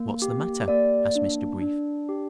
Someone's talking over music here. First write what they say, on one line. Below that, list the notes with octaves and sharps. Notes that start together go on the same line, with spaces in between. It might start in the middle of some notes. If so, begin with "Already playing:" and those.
"What's the matter?" asked Mr. Brief.
Already playing: A#3
G4
A#3 D5
D4
D4
G4